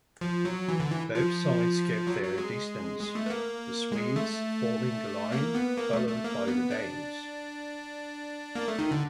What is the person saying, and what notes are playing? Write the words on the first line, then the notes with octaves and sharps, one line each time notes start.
Both sides kept their distance, the Swedes forming a line, followed by the Danes.
F3
F#3
E3
D3
E3
F3
F#3
F#3
G#3
G#3
A3
B3
A#3
G#3
A3
A#3
B3
A#3
A3
A3
A#3
B3
D4
A#3
A3
D#3
D3